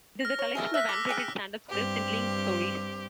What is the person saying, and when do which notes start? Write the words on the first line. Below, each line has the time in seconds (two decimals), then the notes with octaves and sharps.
It is a collection of annotated stand-up scripts and linked stories.
0.20 F6 A#6
0.39 C#5
0.55 D#3 A3 G#4
0.74 E5 F6 F#6 B6
0.89 A4 D6 E6
1.09 G#4 G5 F6 F#6
1.70 G2 C4 G4